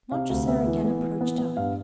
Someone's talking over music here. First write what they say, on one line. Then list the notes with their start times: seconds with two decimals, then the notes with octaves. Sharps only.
Montresor again approached her.
0.12 C3 F5
0.30 D2 F5
0.48 B3 E5
0.66 E3
0.84 B3
1.02 E3
1.21 B3
1.38 B3
1.57 G2 F5